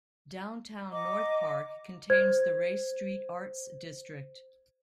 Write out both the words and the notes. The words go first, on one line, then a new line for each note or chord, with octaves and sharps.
Downtown North Park contains the Ray Street Arts District.
D#5 F#5 A#5 D6
C5 G#6